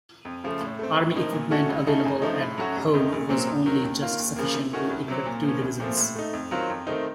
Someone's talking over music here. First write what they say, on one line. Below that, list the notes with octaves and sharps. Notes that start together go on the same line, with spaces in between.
Army equipment available at home was only just sufficient to equip two divisions.
F2
C#3 F3 A3
A2
A3 C4
A2
F3 A#3 D#4
A#2
A3 C#4 F#4 A4
C#2
C#3 A3 D#4 A4
F#2
F3 A3 D#4
A2
F#3 A3 C#4 F#4
F1
F2 D#3 A3 D#4
A#1
A#2 F#3 C4
F2
D#3 F#3
D#2
D#3 A#3 F4
D#2
C#3 F3 A#3
C3
D#3 A3 C#4 F#4
C2
C3 F#3 C4
A#2
F3 A#3 C#4
C2
A#2 F3 A3 C4
A2
A3 D#4
F2
D#3 F#3 C4 F4
F2
D#3 A3 C4 D#4